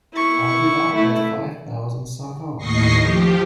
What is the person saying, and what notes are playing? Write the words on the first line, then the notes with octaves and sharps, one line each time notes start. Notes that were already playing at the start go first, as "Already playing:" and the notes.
I'll dig up that five thousand somehow.
E4 C#6
A3 E4
D#2 A2 D#5 C#6 A#6 C7
F3 G4